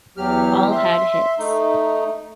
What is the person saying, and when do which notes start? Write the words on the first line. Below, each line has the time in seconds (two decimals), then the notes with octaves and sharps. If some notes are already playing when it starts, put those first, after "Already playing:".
All had hits.
0.17 E2 F#3 G4 F6
0.71 E5 C6
1.39 A3 D#4